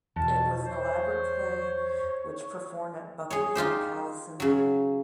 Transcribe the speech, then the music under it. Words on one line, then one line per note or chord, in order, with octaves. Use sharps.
It was an elaborate play which performed at Buckingham Palace in London.
E2 B2 A5
C5 C#5
G#4 C#5
D#4 F4 G4 C5
C#3 F#3